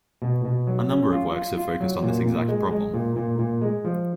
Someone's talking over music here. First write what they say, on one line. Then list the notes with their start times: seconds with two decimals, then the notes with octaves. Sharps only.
A number of works have focused on this exact problem.
0.22 B2
0.45 B2
0.67 F#3
0.90 C#4
1.12 F4
1.35 F4
1.57 F4
1.80 F#3
2.03 A#2
2.26 A#2
2.48 G#3
2.71 G#3
2.94 A#2
3.16 A#2
3.39 A#2
3.62 G#3
3.85 F3